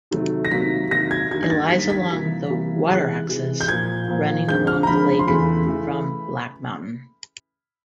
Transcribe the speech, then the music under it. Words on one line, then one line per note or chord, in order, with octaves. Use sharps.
It lies along the 'water axis' running along the lake from Black Mountain.
C3 D#3 F#3 A3
A#6
C3 D#3 F#3 A#3 B6
C3 D#3 F#3 A#3 A#6
G#6
G2 D#3 G3 A#3 G#6
G#6
A6
G2 D#3 G3 A#3 B6
B6
C3 E3 G3 A#3 B6
C3 E3 G3 A#3
C3 E3 G#3 F#6
C3 E3 G#3
G6
A#2 F3 A#3 G#6
A#2 F3 A#3
F2 D3 F3 G#3 G6
F6
A#5
F2 D3 F3 G#3 B5
C6
E2 C#3 E3 A3 B5
C#3 E3 A3